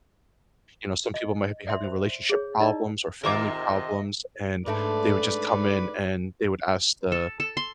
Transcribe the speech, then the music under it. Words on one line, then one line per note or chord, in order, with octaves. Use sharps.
you know, some people might be having relationship problems or family problems, and they would just come in, and they would ask the
D#5
D5 E5 C6
C5
G#4 C#5
D#4 E4 A#4 D5 D#5
G#2 C3 D#3 F4 A#4 D#5 E5 D6
G#2 A3 D4 B4 D5
A4
A4
C6